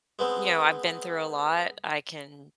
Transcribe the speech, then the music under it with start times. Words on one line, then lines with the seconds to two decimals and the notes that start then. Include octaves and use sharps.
You know, I've been through a lot. I can
0.19 G#3 B3 C4